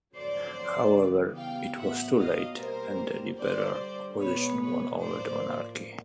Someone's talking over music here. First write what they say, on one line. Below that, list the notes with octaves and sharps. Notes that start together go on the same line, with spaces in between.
However, it was too late, and the liberal opposition won over the monarchy.
F2 D3 F#3 C5 D5
C#3 E3 G3 B3
F5 G5
A2 F#3 B3 E5 F#5
D#5 F5
B2 G3 A#3 A#4 C5
G2 D3 G3 C5 D5
B2 G#3 B3 B4 C#5
B4 C#5
A2 F3 A#3 C5 D5